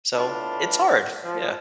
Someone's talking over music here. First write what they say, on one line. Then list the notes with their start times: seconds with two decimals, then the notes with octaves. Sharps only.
So, it's hard! Yeah.
0.14 A2 D4 F4 B4 A5
1.24 F3